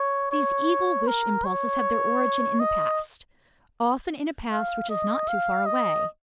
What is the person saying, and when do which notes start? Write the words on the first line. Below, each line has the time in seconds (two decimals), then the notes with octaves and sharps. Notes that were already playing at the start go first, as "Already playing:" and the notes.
These evil wish-impulses have their origin in the past, often in a past which is not too far away.
Already playing: C#5
0.31 C#5
1.08 A#4
1.45 C#5
2.60 D#5
4.52 F5
4.90 D#5
5.28 F5
5.66 D#5